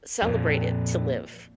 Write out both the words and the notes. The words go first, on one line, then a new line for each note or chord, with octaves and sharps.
celebrated to live?
F2 A#2